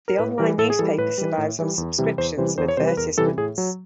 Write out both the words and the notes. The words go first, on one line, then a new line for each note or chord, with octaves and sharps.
The online newspaper survives on subscriptions and advertisements.
A#4
A2 B4
E3 G3 A#4
A2 A4
G#4
E3 G3 A4
A2 B4
E3 G3
A2
E3 G3
E2
C3 E3 G3
E2 C5
C3 E3 G3 C5
E2 C5
C#5
C3 E3 G3 C5
B4
E2 A#4
C3 E3 G3 A4
A2 G#4
F#3